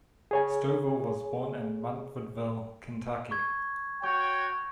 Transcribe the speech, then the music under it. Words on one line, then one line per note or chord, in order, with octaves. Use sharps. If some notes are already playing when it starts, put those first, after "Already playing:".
Stovall was born in Munfordville, Kentucky.
G#4 C#5 G#5
C#6 G#6
F#4 C#5 G5 C#6